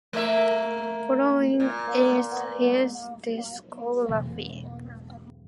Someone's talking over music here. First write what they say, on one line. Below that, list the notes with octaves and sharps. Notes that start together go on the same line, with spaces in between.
Following is his discography.
A3 A#3 E5
A#2
B2 E3 F#3 G#3